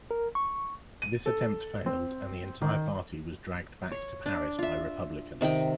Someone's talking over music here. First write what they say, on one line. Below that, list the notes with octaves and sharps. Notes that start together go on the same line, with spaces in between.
This attempt failed, and the entire party was dragged back to Paris by republicans.
A#4
C#6
D#7
A4
C4
D#3
C#5
D4
F4 E5
C3 D#3 D#5 G5